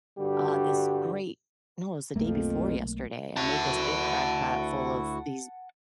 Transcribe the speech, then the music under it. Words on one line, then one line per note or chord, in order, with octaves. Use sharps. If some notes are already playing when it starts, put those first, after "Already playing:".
uh, this great no, it was the day before yesterday, I made this big crock pot full of these
G2 D3 G3 F#4 G4
B1 F2 A3 A#3
D2 E4 F#4 F#5 A5